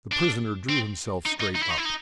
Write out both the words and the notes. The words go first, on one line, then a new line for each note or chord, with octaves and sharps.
The prisoner drew himself straight up.
D4
C4
D#4
D#4
D#4
E4
D#4
E4
D#4